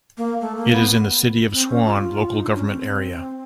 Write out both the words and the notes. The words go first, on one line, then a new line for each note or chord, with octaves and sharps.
It is in the City of Swan local government area.
A#3
A3
A#3
B3
C4
C#4
F4
D#4
D4
C#4
C4